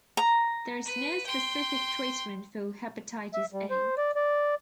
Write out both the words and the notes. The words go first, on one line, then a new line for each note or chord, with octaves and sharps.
There is no specific treatment for hepatitis A.
A#5
B4
G5 C6
E5
G3
C5
D5
D5